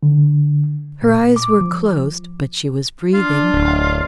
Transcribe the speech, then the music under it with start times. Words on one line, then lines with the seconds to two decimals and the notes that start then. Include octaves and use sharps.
Her eyes were closed, but she was breathing.
0.03 D3
1.02 A#2
1.36 D6
1.61 F3
3.14 D4 F4
3.54 D1